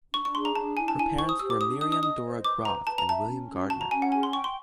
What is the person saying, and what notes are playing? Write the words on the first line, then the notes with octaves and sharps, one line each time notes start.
Her parents were Miriam Dora Groth and William Gardner.
D4 C#6
C#6
G#4 C6
A#5
D4 A5
E4 G#5
A5
E4 G#5
C5 C#6
D#6
G4 E6
D6
D4 D#6
D#5 D#6
D#6
D#5 D#6
C5
B4 D6
B4 A#5
B4 A5
A#5
E5 A5
C#4
F#4
F#4 A5
A#5
C#4 G#5
F#5
G#4 G#5
C6
G5 C#6
C6